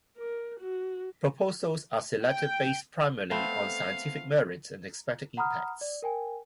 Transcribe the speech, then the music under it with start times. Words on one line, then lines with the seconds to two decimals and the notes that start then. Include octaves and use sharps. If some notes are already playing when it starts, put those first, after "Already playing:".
Proposals are selected based primarily on scientific merits and expected impacts.
0.17 A#4
0.60 F#4
2.24 G5
3.31 A3 B3 C4 F5
5.37 F#5 A#5 B5 D#6 F6
5.81 D5
6.02 A#4 G5 G#5